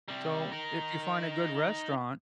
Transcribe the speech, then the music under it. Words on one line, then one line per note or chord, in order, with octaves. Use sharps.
So, if you find a good restaurant,
C3 G3
D#4 A#4